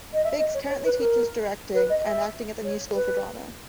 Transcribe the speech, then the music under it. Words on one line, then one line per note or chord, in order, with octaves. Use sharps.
Biggs currently teaches directing and acting at The New School for Drama.
D#5
E5
D#5
C#5
C#5
B4
A#4
B4
D#5
E5
C#5
B4